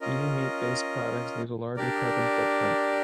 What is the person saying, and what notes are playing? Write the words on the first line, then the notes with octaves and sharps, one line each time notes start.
Eating meat based products leaves a larger carbon foot print.
C#4 F4 A#4 D#5
D4 G4 A#4 D5